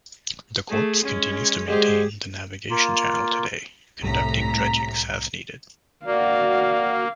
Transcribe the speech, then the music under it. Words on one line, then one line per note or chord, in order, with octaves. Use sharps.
The Corps continues to maintain the navigation channel today, conducting dredgings as needed.
A3 G#4
G#3 C#4
D3 G#3 G4 G#4 C5
A#3 F4
C2 A2 A#5 B6
A#3 F#4 D5 F5